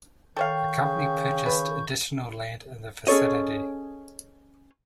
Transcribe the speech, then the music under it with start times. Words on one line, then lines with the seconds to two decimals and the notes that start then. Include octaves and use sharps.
The company purchased additional land in the vicinity.
0.37 D#3 A4 C#5 F5 G5 C#6 G6
0.85 C#3
1.46 B4
3.07 C#4 G#4 A4 C#5 D#5